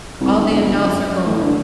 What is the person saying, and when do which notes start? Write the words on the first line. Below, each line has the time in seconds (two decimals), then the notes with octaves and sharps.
All the adults are gone.
0.20 C2
0.37 G1
0.51 G1
0.83 F#2
1.26 A2
1.42 D3